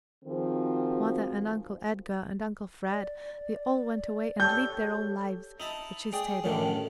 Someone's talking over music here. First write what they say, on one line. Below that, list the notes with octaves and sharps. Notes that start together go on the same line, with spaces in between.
Mother and Uncle Edgar and Uncle Fred--they all went away and lived their own lives, but she stayed on.
D#3 F3 C4 F#4 G#4
D5
G4 A4 C#5 G6
D#4 E4 A5
G#4 D5 G5
F#2 A2 D3 D#3